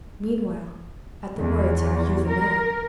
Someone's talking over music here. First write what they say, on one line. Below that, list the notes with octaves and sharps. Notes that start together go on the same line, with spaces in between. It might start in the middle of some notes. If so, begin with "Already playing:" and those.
Meanwhile, at the words, Are you the man?
E2
A#4